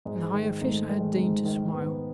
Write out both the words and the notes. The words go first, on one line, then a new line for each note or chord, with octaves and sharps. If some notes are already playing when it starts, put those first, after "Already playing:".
And the high official had deigned to smile.
G#2 G#3
D#3
G#2 A3
D#3 G#3
G#2
D#3
G#2 B3